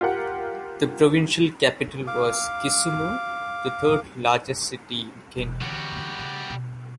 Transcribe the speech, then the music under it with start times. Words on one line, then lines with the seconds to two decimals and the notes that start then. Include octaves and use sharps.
The provincial capital was Kisumu, the third-largest city in Kenya.
0.01 F4 G4 A#4 F#5
2.07 F5 D6
5.38 E1
5.61 D3 E3 G3 F#4
6.19 C#3
6.50 B2